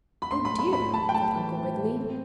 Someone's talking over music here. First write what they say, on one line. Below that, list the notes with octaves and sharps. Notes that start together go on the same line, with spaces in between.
"Oh, dear!" thought Uncle Wiggily.
B5
A2 C6
B5
A2
B5
A2 B5
A2 A5
G5
A2 A5
E3
A2
A2
C4